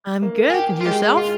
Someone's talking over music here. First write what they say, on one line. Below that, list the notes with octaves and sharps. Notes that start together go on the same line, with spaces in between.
I'm good, and yourself?
A#3
G#4
G4
F4
G#3 G4
F4